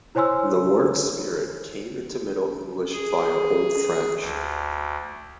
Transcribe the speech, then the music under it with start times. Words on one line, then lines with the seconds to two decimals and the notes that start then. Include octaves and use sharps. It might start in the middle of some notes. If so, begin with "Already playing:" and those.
The word "spirit" came into Middle English via Old French.
0.15 E4 C5 C#5 G#5 C6 E6
2.93 G#4
4.18 D2